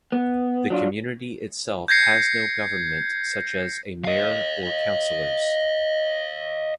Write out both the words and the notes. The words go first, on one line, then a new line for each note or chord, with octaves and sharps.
The community itself has no government such as a mayor or councillors.
B3
F#3 D4 F4
G6 G#6 A#6 C7 C#7
D#5 F5